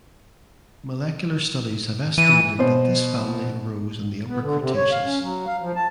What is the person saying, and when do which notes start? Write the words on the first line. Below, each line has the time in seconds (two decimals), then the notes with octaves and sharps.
Molecular studies have estimated that this family arose in the Upper Cretaceous.
2.18 E3 D#7
2.59 B2 C5
4.27 B3
4.41 D3
4.59 C3
4.76 C#5
4.91 F5
5.05 C#4
5.21 F#3
5.47 F5
5.61 F3
5.75 A5